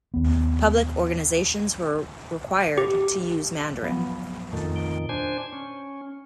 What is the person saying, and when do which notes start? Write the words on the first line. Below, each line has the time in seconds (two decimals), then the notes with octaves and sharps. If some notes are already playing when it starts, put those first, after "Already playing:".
Public organizations were required to use Mandarin.
0.14 D#2 B3
2.78 G4
3.82 F3 F#3 B3
4.53 F2 A#2 D#3 A3 A4
4.76 D7 G7
5.09 D4 C5 G#5
5.53 C#4